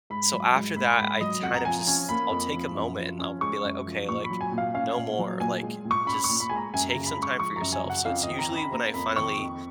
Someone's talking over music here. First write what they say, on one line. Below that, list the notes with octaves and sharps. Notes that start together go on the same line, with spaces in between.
so after that, I kinda just I'll take a moment, and I'll be like, "Okay. Like, no more. Like, just take some time for yourself." So, it's usually when I finally
G#2 B5
F#3
G#2
A#3 B5
G#2 B5
F#3 D#5
F2 F#5
A#5
F3 G#5
C#4 G#5
A#3 B5
F2
F3
F#2
F3
C#4
G#3 C#6
F#2
F3
A#2 C#6
B5
F#3
G#5
A#2
F5
C#4 F5
A#2
F#3
A#2 G#5
G#3
A#2
C#6
C#4 B5
C#6
A#2
B5
G#3 G#5
A#5
F#2 G#5
A#5
C#3
B5
G#3
C#6
F3 C#6
A#5
F#2
G#5
C#3
F#5
F2 F5
D#3 D#5
A#5
C#4
B5
A#3 A#5
F2 B5
D#3 C#6
F2